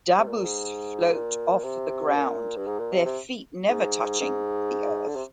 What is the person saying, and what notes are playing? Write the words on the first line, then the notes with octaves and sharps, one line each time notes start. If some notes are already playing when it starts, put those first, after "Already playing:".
Dabus float off the ground, their feet never touching the earth.
C3
A#2
G#2
A#2
C3
A#2
G2
G#2
A#2
C3
C3
G#2
G#2
D3
C3